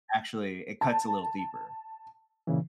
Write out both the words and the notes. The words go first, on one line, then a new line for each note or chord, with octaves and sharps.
actually it cuts a little deeper.
A5
A#2 C#3 E3